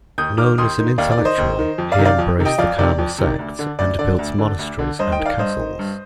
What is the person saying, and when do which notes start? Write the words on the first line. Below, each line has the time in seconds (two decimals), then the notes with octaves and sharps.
Known as an intellectual, he embraced the Karma sect and built monasteries and castles.
0.18 D#2 D#6 G6
0.38 D#3 D6 F6
0.58 D#2 C6 D#6
0.78 D#3
0.98 D#2 D5 F5
1.12 D5
1.18 D#3
1.25 C5 D#5
1.38 D#2
1.59 D#3
1.78 F2
1.92 D5 F5
1.99 C3 D#3
2.05 D5 F5
2.18 F2
2.38 C3 D#3
2.45 D#5 G5
2.58 F2 D5 F5
2.79 C3 D#3 D5
2.98 F2
3.18 C3 D#3
3.39 D2
3.59 D3
3.79 D2 D5
3.99 D3 D5
4.19 D2
4.39 D3
4.59 D2
4.79 D3
4.99 G2 C5 D#5
5.12 D#5 G5
5.19 D#3
5.26 D5 F5
5.39 G2 C5 D#5
5.59 D#3
5.79 G2